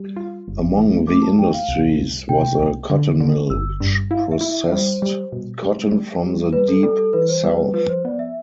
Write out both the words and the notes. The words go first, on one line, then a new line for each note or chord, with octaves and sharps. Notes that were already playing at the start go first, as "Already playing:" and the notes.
Among the industries was a cotton mill, which processed cotton from the Deep South.
Already playing: G3
F4
G1
E3
A3 D6
A5
F2 G5
F5
C2
C2
C3 G5
C2
D3
D3
G1 E6
G2
E4 F5
E5
E4
E5
G3 C5
G3
B2
G3
G3
G3
G3 B4
A4
G3 A4
A4
E3 B4
C5
G3 B4
B4
F3 B4
C5
B3 D5
E5